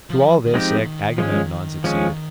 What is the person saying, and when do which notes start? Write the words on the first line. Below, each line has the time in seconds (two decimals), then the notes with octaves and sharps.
To all this Agamemnon succeeded.
0.10 F3
0.46 D#3
0.53 F3 G#3 C4 D#4 G4
0.86 D#3
1.18 F3 G#3 C#4
1.84 F3 G#3 C#4